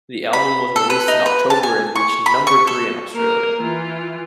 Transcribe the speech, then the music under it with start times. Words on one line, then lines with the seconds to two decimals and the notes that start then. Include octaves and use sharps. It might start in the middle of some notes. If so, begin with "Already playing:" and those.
The album was released in October and reached number three in Australia.
0.33 B5
0.76 A4
0.90 B4
1.08 D#4
1.26 B4
1.50 A5
1.63 G#5
1.95 C#6
2.26 B5
2.47 C#6
2.67 A4
3.14 A#3 A#4
3.62 E3 F4